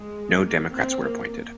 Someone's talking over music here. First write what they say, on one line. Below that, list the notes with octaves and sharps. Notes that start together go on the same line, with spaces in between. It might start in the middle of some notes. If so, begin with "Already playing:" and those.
No democrats were appointed.
Already playing: G#3
A#3
C4
A#3